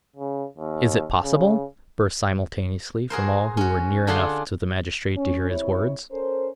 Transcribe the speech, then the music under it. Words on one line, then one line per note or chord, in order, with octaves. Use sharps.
"Is it possible?" burst simultaneously from all who were near enough to the magistrate to hear his words.
C#3
D#2
C#3
F#4 G#4 A#4 C5
C#4 F#4
D3 D4 F4 G#4 F#5 C6
C#4
F2 C3 E4 C#5
C#4 A4 A#4 C5